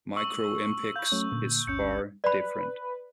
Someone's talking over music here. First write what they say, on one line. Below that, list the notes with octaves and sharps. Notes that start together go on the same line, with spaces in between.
MicroEmpix is far different.
C#6 E6 F#7
F5 B5 G6
F#3 A3 C#4
A#2 D3
G1 D2 C#4 G6 C#7
B4 D5 B5